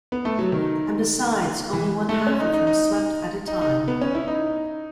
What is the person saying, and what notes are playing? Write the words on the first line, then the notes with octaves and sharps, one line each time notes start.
And besides, only one half of him slept at a time.
B3
A3
F#3
D#3
E3
A3
C#4
D#4
D#4
D#4
D#4
D#4
B3
C#4
E4
D#4